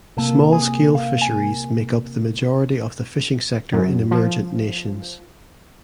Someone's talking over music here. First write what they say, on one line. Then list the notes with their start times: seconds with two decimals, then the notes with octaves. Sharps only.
Small scale fisheries make up the majority of the fishing sector in emergent nations.
0.17 C3 A#3 F4 A4
0.52 G#4
0.95 F5
1.22 G#5
3.73 F#2
4.11 F3